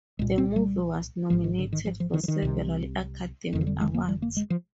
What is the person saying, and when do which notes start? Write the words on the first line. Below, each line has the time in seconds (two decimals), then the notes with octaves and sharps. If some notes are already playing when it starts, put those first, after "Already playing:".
The movie was nominated for several Academy Awards.
0.19 C2 A#2 G#3
0.38 C4
0.56 G3
1.30 G#1 G#2 F3
1.44 D#3
1.59 D3
1.73 D#3
1.86 F3
2.00 F3
2.14 D#3
2.23 F3
2.28 D#3
2.42 C2 C3
3.53 F1 F2 D3 D#3
3.61 F3
3.67 G3
3.81 G#3
3.94 A#3
4.08 G3
4.22 A#3
4.37 G#3
4.50 F3